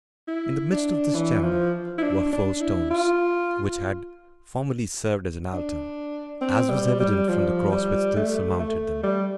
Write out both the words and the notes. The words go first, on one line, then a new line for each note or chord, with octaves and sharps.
In the midst of this chamber were four stones, which had formerly served as an altar, as was evident from the cross which still surmounted them.
E4
D4
E3
F3
E4
D4
D4
E4
F4
D4
C4
G3
G3
F3
G3
A3
A3
G3